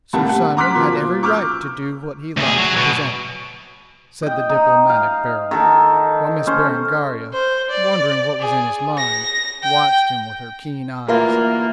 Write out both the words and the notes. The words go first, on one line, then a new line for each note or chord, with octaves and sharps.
"Sir Simon had every right to do what he liked with his own," said the diplomatic Beryl, while Miss Berengaria, wondering what was in his mind, watched him with her keen eyes.
A2 C3 G3 A#3 F#5 A5
F#5
A#5 C6 D6 F6 F#6 B6
B2 F3 A#3 C6
C#6 D6 E6 F6 G6
D2 G#4
F#3
B2
D#5 G5
D#4
F5
D#3 A4 G5
C#4 C5
C5
D5
G#4
A#6
G5
D2 E3 A#3 F4 A#4